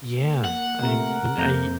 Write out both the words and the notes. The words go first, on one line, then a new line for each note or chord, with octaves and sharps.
Yeah, I mean, I
A#3
F#5
C3 A3 A#4
F2 C3 A#3 A#5 G6